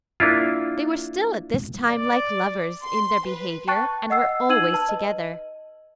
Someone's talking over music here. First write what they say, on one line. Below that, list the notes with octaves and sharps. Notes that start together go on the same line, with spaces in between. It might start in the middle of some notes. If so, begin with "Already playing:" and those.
They were still at this time like lovers in their behaviour and were always together.
A#3 D4 E4 F4
D5
C6
B4
G5 A5 C#6 F#6 A6
D#5 F#5 E6 C7
D#4 E6 G#6 D#7 F#7
B4 A5
D#5